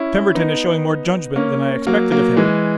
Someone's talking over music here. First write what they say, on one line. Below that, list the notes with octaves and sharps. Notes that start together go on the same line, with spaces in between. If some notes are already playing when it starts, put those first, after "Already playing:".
Pemberton is showing more judgment than I expected of him.
Already playing: C#4 E4
B3 D#4
A#3 C#4
F#3 A#3
F#3 A#3
E3 G#3